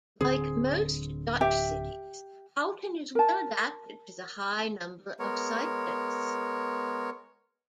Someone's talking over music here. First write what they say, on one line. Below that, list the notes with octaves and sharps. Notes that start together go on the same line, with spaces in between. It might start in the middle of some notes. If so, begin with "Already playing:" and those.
Like most Dutch cities, Houten is well adapted to the high number of cyclists.
D1 D3 C4 G#4
G4 E5 G5
A#4 A5
G#3 B3 A#4 C#5